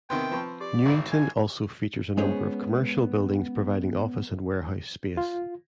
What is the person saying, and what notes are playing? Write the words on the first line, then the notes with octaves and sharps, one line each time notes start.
Newington also features a number of commercial buildings providing office and warehouse space.
C3 D#3 B3 G5 C6
F3 C4 B4 B5 C#6
G4 D5
G#1 F#5 A#5 B5
G#5
G#3 B3 C#4 G#4 C5 C#5
F4